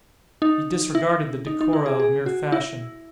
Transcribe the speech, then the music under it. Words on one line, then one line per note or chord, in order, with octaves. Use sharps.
He disregarded the decora of mere fashion.
D#4
E4
D#4
D#4
E4
G#4
G#4
F#4
E4